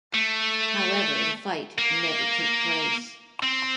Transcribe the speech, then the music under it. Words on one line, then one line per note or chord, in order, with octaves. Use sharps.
However, the fight never took place.
A3
A#3
C4